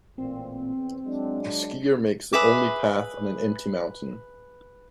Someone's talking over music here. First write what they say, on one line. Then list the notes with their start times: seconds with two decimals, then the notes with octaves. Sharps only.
A skier makes the only path on an empty mountain.
0.18 A1 A#2 C4
0.76 E2
1.05 F#3 G#3 D4
2.33 G#4 B4 E5 D6